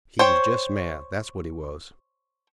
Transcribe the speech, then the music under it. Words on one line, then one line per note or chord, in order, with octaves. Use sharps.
He was jest mad, that's what he was.
C5 C#5 G5